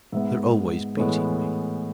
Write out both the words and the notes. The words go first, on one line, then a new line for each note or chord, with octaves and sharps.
"They're always beating me."
G#2 G#3 B3 E5
A2 E3 G#3 B3